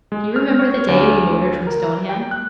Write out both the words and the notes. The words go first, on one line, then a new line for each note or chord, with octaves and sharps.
'Do you remember the day we motored from Stoneham?
G#3
F6
C#5
D2
A#4
G5
F#6